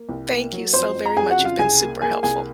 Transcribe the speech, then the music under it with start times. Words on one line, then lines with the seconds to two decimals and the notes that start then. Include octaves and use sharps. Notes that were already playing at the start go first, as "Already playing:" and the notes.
thank you so very much, you've been super helpful.
Already playing: A#3
0.09 C2
0.31 A#3
0.52 F#3
0.73 F2 C5 C6
0.95 F2
1.06 A#5
1.16 F2 G#4 G#5
1.30 F#4 F#5
1.38 C#3
1.45 F4 F5
1.59 C2 G#4 G#5
1.81 A#3
2.02 A#3 G#4 G#5
2.23 C2 G#4 G#5